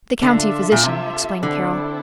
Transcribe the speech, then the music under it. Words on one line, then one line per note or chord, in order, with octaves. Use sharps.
"The county physician," explained Carroll.
D3 F4 A4 E5
A#2
C3
D3 C4 E4 A4